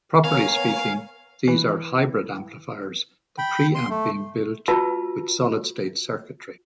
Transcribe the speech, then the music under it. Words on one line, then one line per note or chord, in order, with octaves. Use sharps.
Properly speaking these are hybrid amplifiers, the pre-amp being built with solid-state circuitry.
B3 A#4 C#5 F5 G#5
E3
G5 B5
C6
A3
F4 F#4 B4 A5 E6